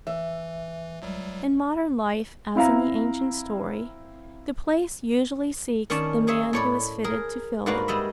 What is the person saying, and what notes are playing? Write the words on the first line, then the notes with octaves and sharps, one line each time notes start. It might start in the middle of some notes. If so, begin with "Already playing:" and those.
In modern life as in the ancient story, the place usually seeks the man who is fitted to fill it.
E3 E5
C#2 F#3 G3
C4 E4 F5 A#5
D#3 C#4 C#5 D5 A5
G#3 G#4 C#5 E5
A2 C#5 D5
G#4 A#4
G#2 A#3 F#4 B4 D5 F5
G3 G#3 D#5 E5